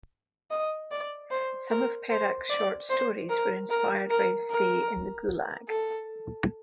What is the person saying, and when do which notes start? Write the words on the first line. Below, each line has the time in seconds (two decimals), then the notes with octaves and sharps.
Some of Perakh's short stories were inspired by his stay in the gulag.
0.51 D#5
0.91 D5
1.31 C5
1.70 A#4
2.10 C5
2.50 D5
2.90 C5
3.30 A#4
3.70 A#4
4.10 A#4
4.50 A#4
5.69 A4